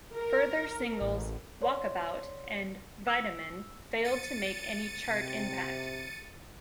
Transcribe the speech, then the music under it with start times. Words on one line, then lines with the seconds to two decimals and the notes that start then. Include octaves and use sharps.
Further singles "Walkabout" and "Vitamin" failed to make any chart impact.
0.14 A#4
1.01 A1
1.62 C#5 D5 C6
3.07 E6
4.04 A6 C#7 D#7
5.09 C3